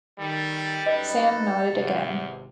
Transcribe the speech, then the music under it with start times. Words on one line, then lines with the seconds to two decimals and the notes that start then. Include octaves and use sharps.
Sam nodded again.
0.20 D#3 G3 A4
0.86 F#2 D#4 A4 B4 D#5
1.71 G#1 E2 C3